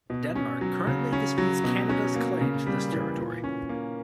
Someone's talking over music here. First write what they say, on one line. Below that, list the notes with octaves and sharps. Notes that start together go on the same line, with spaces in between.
Denmark currently disputes Canada's claim to this territory.
B2
C#4
F#3
C#3
C#4
F#3
B2
C#4
A#3
C#3
G3
E3
A#2
C#4
A#3